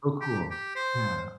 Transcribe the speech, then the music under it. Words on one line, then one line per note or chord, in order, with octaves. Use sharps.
Oh, cool, yeah,
G4
G4
C5